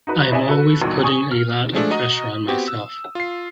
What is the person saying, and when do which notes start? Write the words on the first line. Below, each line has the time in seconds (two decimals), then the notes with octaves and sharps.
I'm always putting a lot of pressure on myself.
0.07 D#4 F#4 B4
0.32 E4 D5 D#5 G#5
0.48 F#4 A4 B4
0.82 A#1 E2 G2 B2 D#3
1.03 G#5 C#6 D#6
1.31 F6
1.73 F3 G#3 A3 D4
1.90 F#4 D#5 A#5 D#6
2.48 B3 C4 F#4 G4
2.68 E6
3.15 F4 C7